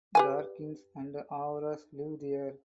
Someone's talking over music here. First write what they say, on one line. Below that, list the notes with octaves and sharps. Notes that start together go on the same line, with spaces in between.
Dargins and Avars live there.
G4 B4 G#5